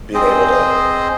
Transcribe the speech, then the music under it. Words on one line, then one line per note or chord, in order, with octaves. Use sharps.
being able to
C4 G#4 C5 D#5